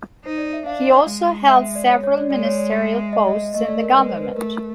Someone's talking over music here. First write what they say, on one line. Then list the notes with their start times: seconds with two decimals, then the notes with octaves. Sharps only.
He also held several ministerial posts in the government.
0.25 D#4 C5
0.38 D5
0.53 E5
0.66 D4 F5
1.08 G#3
1.49 E5
1.75 D5
1.90 C#5
2.04 C#5
2.18 D5
2.31 G#3 D5
2.45 C#5
2.58 D5
2.72 E5
3.13 D#5
3.28 D#5
3.54 A3 D#5
3.68 D5
3.81 A#4
3.96 G#3 B4
4.09 C5
4.23 B4
4.37 A3 A#4